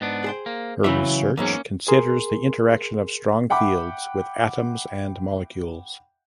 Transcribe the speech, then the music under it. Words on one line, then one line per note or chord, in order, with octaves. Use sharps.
Her research considers the interaction of strong fields with atoms and molecules.
G#2 B3 D4
G#4 C5 G5
A#3
C#3 E3 F#3 E4 E5
E2 G#2 F#3 A#3 C#4
G#4 A#4 C6
E5 F#5 G5 B5 D6